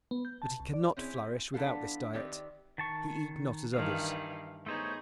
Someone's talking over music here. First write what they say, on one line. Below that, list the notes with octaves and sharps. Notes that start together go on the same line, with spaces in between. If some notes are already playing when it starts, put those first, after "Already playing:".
But he cannot flourish without this diet; he eat not as others.
B3
G6
A5
C2
D5
C4 C#4 E4 G4 G#4
F3 B3 D4 E4 A4 F5
D#3 C4 G4 B4 D5 E5
D#3 A5 C#6
G2 D#3 E3 F5
A3 B3 D#4 G#4 C5 C#5